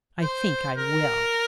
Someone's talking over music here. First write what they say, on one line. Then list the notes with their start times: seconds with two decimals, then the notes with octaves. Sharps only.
I think I will.
0.22 C5
0.77 A#4